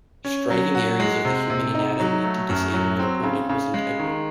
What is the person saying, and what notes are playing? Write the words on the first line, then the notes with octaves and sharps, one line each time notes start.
Striking areas of the human anatomy to disable an opponent was integral.
C#4
F#3
F#4
G#3
C3
C3
D#4
F#3
A3
F#2
F#3
C4
C#3
C#3
G#3
D#3